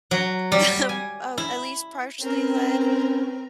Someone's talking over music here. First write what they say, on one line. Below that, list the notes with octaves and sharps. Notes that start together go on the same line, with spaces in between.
them uh, at least partially led,
F#3
G3
G#5
E4
C4 C#4 A#4 B4